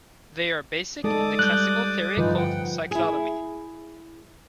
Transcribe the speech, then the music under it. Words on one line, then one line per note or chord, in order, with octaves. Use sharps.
They are basic in the classical theory called cyclotomy.
G#3 D#4 A4 D5 D6 D#6
G3 F#6 G6
G2 D3 E3 F3 G#3 D#4 F4 B4
F#5 G5
E4 G#4